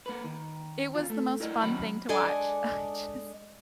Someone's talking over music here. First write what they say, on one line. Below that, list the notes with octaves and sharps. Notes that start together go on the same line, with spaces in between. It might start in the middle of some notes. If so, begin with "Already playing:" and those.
it was the most fun thing to watch. I just
A#3 B4
D#3
E2 F4
A3
E4 A#4 D5 D#5
D#3 F#3 C#4 F#5 B5
G#3 D4 A4 D5 D#5 G#5